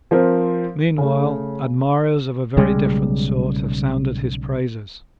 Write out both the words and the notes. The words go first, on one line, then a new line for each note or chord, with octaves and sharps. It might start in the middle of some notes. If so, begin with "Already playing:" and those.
Meanwhile admirers of a very different sort have sounded his praises.
F3 C4 A#4
C#3 A3
B1 C#3 G3 G#3